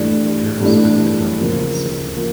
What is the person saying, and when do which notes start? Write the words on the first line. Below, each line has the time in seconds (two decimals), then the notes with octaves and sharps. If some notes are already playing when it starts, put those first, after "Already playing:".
The pair spent the night on the summit.
Already playing: G2 E3 A3 D4
0.60 G2 E3 A3 D4
1.40 C#3 F3 A#3
2.17 F3 A#3